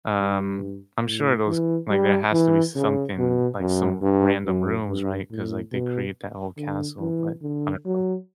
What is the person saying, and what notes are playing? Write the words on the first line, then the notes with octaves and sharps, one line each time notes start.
um, I'm sure those like, there has to be something, like, some random rooms, right? 'Cause, like, they create that whole castle, but I don't know.
G2
A2
E3
G3
E3
C#3
B2
F#2
G2
F#2
G2
A2
B2
D3
E3
D3
F#3